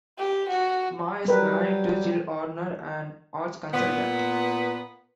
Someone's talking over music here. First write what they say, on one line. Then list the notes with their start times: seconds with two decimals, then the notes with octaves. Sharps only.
Ma is married to Jill Hornor, an arts consultant.
0.18 G4
0.50 F#4
1.28 F#3 G3 G4 A#4 B4
3.73 A#2 B3